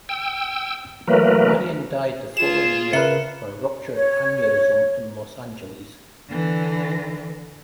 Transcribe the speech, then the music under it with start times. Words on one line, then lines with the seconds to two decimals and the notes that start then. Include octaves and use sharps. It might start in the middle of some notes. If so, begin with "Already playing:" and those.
Marion died the following year of a ruptured aneurysm in Los Angeles.
0.09 G5 E6
1.07 E3 F#3 A3 A#3 A#4 B4
2.37 F4 G#4 E7
2.93 C#3 A#4 B4 E5 C#7
3.95 C#5
6.30 D3 E3